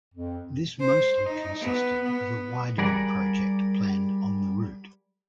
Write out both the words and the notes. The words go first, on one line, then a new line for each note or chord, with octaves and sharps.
This mostly consisted of a widening project planned on the route.
F2
C5
D#4
B3
B3
G3 G#4 A#4 D5 F#5